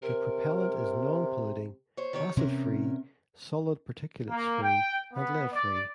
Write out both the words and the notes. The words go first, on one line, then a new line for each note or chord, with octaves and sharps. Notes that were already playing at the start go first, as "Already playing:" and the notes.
The propellant is non-polluting: acid-free, solid particulates-free, and lead-free.
C3 A#4
C5 C#5
D#3 G4 C#5
E2 C3 C#4 A#4
A#3
G5
B3
D5